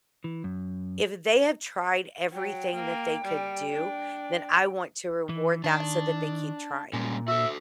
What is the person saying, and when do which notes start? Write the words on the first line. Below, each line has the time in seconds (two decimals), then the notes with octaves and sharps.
if they have tried everything that they could do, then I want to reward that so that they keep trying.
0.24 E3
0.44 F#2
2.33 F#3 G5
2.74 A#3
3.25 G3
3.73 D4
5.29 E3
5.64 D#3 D4
6.93 A#2 G3 G#3 C#4
7.28 F#4 A4 E5